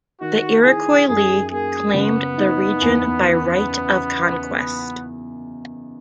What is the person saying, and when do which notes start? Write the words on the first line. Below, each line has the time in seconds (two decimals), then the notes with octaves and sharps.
The Iroquois League claimed the region by right of conquest.
0.20 D#3 F#4
0.63 E4 G#4
1.08 F#2 G#4
1.51 A#3 G#4
1.94 C#3 B3
2.38 D#4
2.81 E2